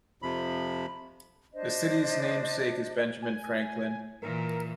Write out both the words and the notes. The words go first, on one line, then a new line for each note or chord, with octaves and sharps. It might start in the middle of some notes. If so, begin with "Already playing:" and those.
The city's namesake is Benjamin Franklin.
F2 C3 F3 B5
D4 C5 D5 D#5
G#5
A#2 E3 A#4